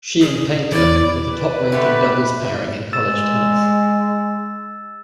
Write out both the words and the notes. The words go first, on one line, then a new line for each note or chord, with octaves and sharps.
She and Paynter were the top ranking doubles pairing in college tennis.
G#4
E2 E4 D5
B4
D3 G3 A3
G#3 E6 A6 E7